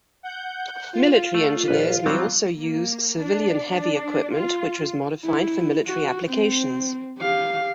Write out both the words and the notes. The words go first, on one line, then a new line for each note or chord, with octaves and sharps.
Military engineers may also use civilian heavy equipment which was modified for military applications.
F#5 G6
F4
A3
A#1 B4
F#3 G3 C4
A#3
D4
D4
F4
E4
F#4
C4
G4 F5